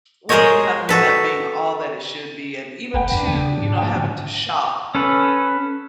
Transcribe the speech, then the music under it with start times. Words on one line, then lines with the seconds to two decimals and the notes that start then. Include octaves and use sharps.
with the economy not being all that it should be, and even too, you know, having to shop,
0.29 G#3 G#4 A#4 C5 C#5 D#5
0.89 F#4 A4 B4
2.94 F#1 B4 F#5 G5
3.12 E2 D4
3.27 C#3 G5
3.58 G#2
3.77 A#1 G5
3.96 C#3
4.95 C#4 A4 B4